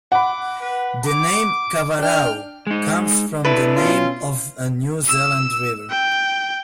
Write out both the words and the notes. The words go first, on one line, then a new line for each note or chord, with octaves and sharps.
The name "Kawarau" comes from the name of a New Zealand river.
F#5 B5 D6
B4
D6
D4 G5 F6
G#3 D#4
D4 E4 B4
B2 C#4 F4
E6
G5